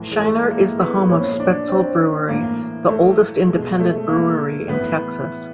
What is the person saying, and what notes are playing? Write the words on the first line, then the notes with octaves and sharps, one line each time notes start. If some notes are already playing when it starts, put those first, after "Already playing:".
Shiner is the home of the Spoetzl Brewery, the oldest independent brewery in Texas.
Already playing: A2 E3
G#3
A3
A#3
B3
A#2 F3 C#4
D4
C4
A2 E3 A#3
A3
B2 G#3
A3
A#3
A2 E3 B3